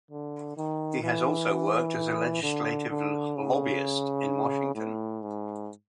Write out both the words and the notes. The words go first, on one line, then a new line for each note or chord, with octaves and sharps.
He has also worked as a legislative lobbyist in Washington.
D3
D#3
E3
D3
D3
C#3
A2
G#2